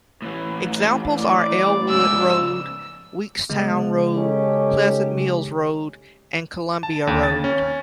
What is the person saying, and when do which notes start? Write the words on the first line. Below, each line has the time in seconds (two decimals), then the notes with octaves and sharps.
Examples are Elwood Road, Weekstown Road, Pleasant Mills Road, and Columbia Road.
0.22 A2 E3
1.19 D5
1.89 G#2 C#3 E6
3.50 C#3 G#3 B3
4.14 C#4 D#4 G4 A4
6.83 A5
7.07 D#2
7.23 A6
7.44 C#4